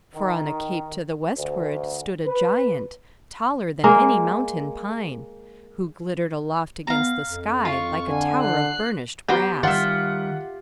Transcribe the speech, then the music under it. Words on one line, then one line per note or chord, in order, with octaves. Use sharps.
For on a cape to the westward stood a giant, taller than any mountain pine; who glittered aloft against the sky like a tower of burnished brass.
D#3
D2
B4
G#3 A#3
B3 F5 A#5
F2
F4 F5 C#6
D3 G#5
F#6 C7
B3 F#4 G4 A#5 C6
D#3 G3 F4 E5 F#5